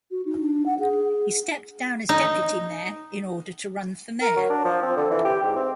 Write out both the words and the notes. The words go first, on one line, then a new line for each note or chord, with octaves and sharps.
He stepped down as deputy mayor in order to run for mayor.
F#4
D#4
D4
F#5
G#4
D#4
A#4
F#3
D4
F3
C4
D3
E3
G4
G#2
C4